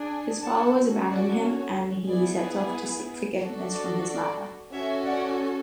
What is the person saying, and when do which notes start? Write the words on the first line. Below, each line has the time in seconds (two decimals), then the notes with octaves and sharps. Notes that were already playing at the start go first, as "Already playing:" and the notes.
His followers abandon him, and he sets off to seek forgiveness from his mother.
Already playing: D4 G#4
0.44 F#5 A5
0.77 C#4 F#4 A4
1.09 D5 F#5
1.43 C#5
2.08 B3 E4 G#4 D5
3.41 D4 F#4 A4
3.74 D5
4.07 D5
4.72 C#4 F#4 A4 C#5 E5
5.05 D5 F#5